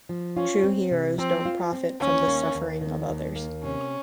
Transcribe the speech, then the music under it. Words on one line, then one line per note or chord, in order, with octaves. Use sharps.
True heroes don't profit from the suffering of others.
F3
C#4 F4
C4
C3
F3 C4
F4
C4
D#2 C#4
A#3
D#2
D#3
D#2
A#3
C3 C#4